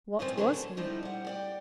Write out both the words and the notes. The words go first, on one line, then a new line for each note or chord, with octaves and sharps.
What was he?
G2 C#3 F3 G#3 A3 C4
D3 F#3 A#3 C4 D4 G#4
A4
D3 F3 G3 D#4 E4
G3 F#5
G4 D5 G5